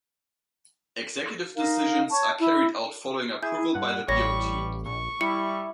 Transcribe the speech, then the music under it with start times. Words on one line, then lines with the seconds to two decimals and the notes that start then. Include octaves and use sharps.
Executive decisions are carried out following approval by the BoT.
1.55 D#4 A#4 F5
2.10 C#5 A5 C#6
2.40 E4
3.43 E4 G#4 G6
3.75 G2 F#5
4.08 A1 G3 C#5 C#6 A#6
4.86 A#1 C#6
5.21 G3 E4 C#7